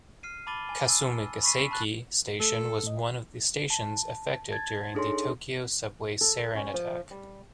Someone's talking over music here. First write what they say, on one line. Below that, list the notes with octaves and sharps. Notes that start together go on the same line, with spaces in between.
Kasumigaseki Station was one of the stations affected during the Tokyo subway sarin attack.
F6 C7 D#7
A5 B5 D6 A6 D#7 G7
G#5
E6
B5 C#6 B6 C7 D#7
A5 B5 C#6 F#6 A6
A3 A4
A2 D#5
A5
A5 G#6 A6
D4 D#4 G#4 A4 C#5 C6
A4
C#4
F3
G3